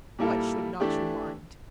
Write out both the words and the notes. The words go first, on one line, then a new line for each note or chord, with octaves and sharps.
"What should not you mind?"
A#2 G3 A#3 E4 A4
E3 A3 D4 G4